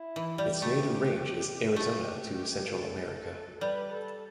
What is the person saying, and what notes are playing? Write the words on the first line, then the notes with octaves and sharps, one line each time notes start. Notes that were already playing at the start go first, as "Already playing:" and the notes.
Its native range is Arizona to Central America.
Already playing: E4
E3
G3 G4
A3
A3 G4
A4
G3 B4
A4